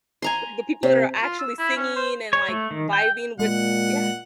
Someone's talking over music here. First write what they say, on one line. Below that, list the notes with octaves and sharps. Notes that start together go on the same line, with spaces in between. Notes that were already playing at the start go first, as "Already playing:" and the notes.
Like the people that are actually singing and, like, vibing with Yeah.
G#5 A#5 C6
C3
F4
E6
E4
C#4
C5
C#5
A3
D#3
G5
A#2 G#3 F#5